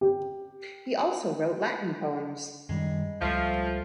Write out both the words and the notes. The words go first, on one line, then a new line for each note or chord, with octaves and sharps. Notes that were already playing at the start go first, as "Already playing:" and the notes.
He also wrote Latin poems.
G4
F#2 D#3 G3 G#3
C#2 F3 G3 A3 E5